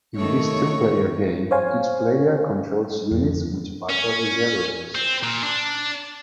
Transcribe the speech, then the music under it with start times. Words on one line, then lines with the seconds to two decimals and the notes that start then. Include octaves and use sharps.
In this two-player game, each player controls units which battle in the arenas.
0.16 D#3 A3 C#5
1.51 C5 C#5 F5 G#5
3.11 F2
3.89 C#4
4.95 C4
5.24 A#2
5.43 D4